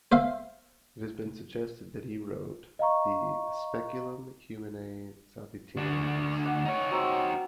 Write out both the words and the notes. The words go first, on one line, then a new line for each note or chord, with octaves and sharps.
It has been suggested that he wrote the "Speculum Humanae Salvationis".
C5 E5 F5 C6
D#5 F5 A#5 C#6
D2 D4
D5 F#5
D#4 C#5
F#3 C4 E6